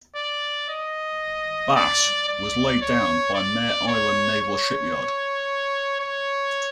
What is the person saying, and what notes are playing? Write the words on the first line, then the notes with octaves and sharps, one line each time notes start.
"Bass" was laid down by Mare Island Naval Shipyard.
D5
D#5
D5
D5
C#5
D5
C#5
C#5
C#5